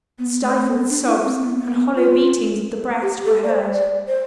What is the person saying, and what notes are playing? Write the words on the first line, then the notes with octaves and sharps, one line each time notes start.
Stifled sobs and hollow beatings of the breast were heard.
B3
A3
B3
D4
E4
C4
B3
B3
F4
G4
A4
D5
C5
D5
C5